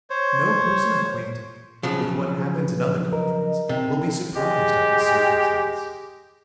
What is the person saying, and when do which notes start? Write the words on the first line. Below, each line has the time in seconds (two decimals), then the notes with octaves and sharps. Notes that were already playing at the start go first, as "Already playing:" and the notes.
No person acquainted with what happens in other countries will be surprised at this circumstance.
0.10 C5 C#5
1.83 C#3 F3 F#3
2.55 B4
3.13 A#4 D#5
3.69 C3
4.36 G#3 G4